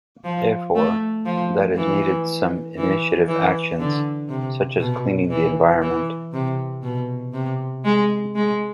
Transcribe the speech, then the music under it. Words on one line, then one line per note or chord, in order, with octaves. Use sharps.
Therefore, that is needed some initiative actions such as cleaning the environment.
F3
A3
F3
E3
E3
E3
D3
C3
B2
E3
E3
C3
B2
C3
G#3
G#3